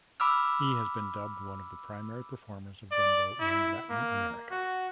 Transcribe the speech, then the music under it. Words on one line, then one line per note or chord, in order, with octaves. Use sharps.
He has been dubbed one of the primary performers of dembow in Latin America.
B5 D6 E6 F6
D5
E4
A#3
F#4